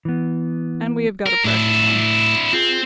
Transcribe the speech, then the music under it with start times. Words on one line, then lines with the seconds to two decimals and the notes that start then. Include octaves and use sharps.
And we have got a precious one.'
0.05 E3 B3
1.26 A#4
1.44 A2 D4 E4
2.53 C4 F4 G#4